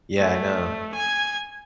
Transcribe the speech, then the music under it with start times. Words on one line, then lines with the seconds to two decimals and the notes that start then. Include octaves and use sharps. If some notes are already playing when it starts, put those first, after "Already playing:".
Yeah, I know.
0.18 A3
0.95 G#5 G#6